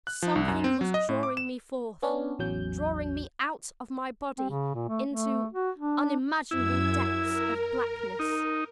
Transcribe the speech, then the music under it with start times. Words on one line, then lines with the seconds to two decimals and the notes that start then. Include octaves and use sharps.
Something was drawing me forth; drawing me out of my body into unimaginable depths of blackness.
0.07 F#6
0.22 F3
0.36 C2
0.48 F#2
0.64 C4
0.81 F#3
0.94 D#5
1.09 A2
1.23 D6
1.37 E7
2.03 B3 C#4 D4
2.39 A1 E2 F#3 C#4 G6
4.38 C4
4.50 C#3
4.74 A#2
4.88 A3
5.08 A3
5.53 F#4
5.78 D4
6.51 F#2 E4 E6 G#6
7.17 A#4
8.19 D#4